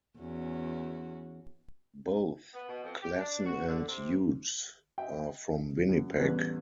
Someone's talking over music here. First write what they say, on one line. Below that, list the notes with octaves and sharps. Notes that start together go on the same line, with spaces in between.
Both Klassen and Hughes are from Winnipeg.
E2 C#4 F#4
B3
B2
F2
G4
D4
F#4
D3
C3
D#5 E5 G5
F#2
A1 E2 G3 B4 F#6